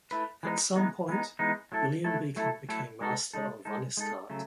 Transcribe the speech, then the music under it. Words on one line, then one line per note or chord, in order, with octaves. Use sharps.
At some point William Beacon became master of "Vansittart".
A3 E4 B4
E3 G#3 B3 D#4
E3 G#3 B3 D#4
E3 G#3 B3 D#4
E3 G#3 B3 D#4
F#3 A3 E4 A4
F#3 A3 E4 A4
F#3 A3 E4 A4
F#3 A3 E4 A4
G#3 D#4 A4
G#3 D#4 A4
G#3 D#4 A4
G#3 D#4 A4
C#3 F#3 A3